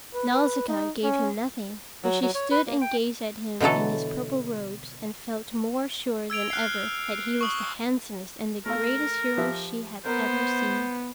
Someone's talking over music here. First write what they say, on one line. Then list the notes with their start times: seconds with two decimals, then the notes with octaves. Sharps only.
Nausicaa gave him nothing, but she stood and gazed at him in his purple robes and felt more sure than ever that he was the handsomest and the greatest hero she had ever seen.
0.15 B4
0.68 D#4
1.03 C#4
2.04 F#3
2.22 F#3
2.35 C#5
2.51 B4
2.67 A#3
2.81 G5
3.60 B2 D3 E3 F#3 A4
6.30 E6 G#6 D7 F7
6.51 F6 F#6 C7
7.41 C#6 D#6 G7
8.66 A3 A4 A#4 F5
9.38 F3 G4 E5
10.06 B3 A#4 C5